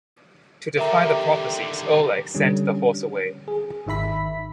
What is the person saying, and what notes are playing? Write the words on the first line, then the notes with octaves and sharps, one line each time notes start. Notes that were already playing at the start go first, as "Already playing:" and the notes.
To defy the prophecies, Oleg sent the horse away.
D3 D#3 G4 A#4 E5 A#5
D3 G3 C#4
G#4
G#1 D#3 E5 B5 B6